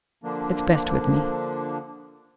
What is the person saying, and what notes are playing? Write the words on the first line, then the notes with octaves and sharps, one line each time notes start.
"It's best with me."
D3 F3 A#3 D4